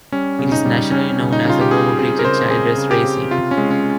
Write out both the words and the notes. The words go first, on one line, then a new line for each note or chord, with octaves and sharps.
It is nationally known as the home of Richard Childress Racing.
G3 C#4
C#3
D#4
G3
G3 C#4
C#3
D#4
C#3 F4
G4
C#3 G#4
C4 G#4
A#4
C#3 C5
C4 G#4
C#3
G4
C4
C3 F4
C#4
G#3
C#4